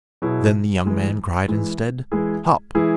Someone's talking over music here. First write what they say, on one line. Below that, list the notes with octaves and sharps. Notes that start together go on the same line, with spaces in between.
Then the young man cried instead, 'Hop!
B2 F#3 E4 G#4
E3 G#3 E4
E3 G#3 E4
E3 G#3 E4 G#4
E3 G#3 E4 G#4